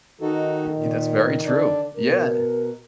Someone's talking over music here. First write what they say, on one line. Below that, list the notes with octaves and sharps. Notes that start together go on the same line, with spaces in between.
Y y that's very true, yeah.
D#3 D#4 F#4 A4
A#2
D3 D4 D5
B2 A#4